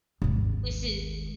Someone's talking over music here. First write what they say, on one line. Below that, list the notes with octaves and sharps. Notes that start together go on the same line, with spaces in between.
this is
G#1 D#2